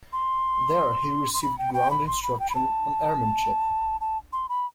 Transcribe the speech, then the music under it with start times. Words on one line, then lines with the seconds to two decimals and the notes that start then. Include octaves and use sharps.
There he received ground instruction on airmanship.
0.13 C6
1.34 C6
1.43 B5
1.58 G5
1.74 G5
1.91 B5
2.07 C6
2.23 B5
2.40 G5
2.50 B5
2.55 A5
4.01 A5
4.33 C6
4.49 B5